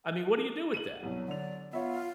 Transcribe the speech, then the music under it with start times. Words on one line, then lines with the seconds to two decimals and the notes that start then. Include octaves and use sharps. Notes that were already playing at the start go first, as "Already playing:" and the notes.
I mean, what do you do with that?
0.74 D#7 F#7
1.03 C2 B2 F#3
1.28 D3 D5 F7
1.73 B3 F4 C#5 E5